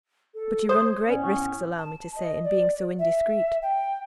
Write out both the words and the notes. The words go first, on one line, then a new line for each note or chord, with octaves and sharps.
But you run great risks, allow me to say, in being so indiscreet.
A4
C5 C#5 D#6
A2 B3 C#4 D5
C#6
A5
D#5
D5
E5
G5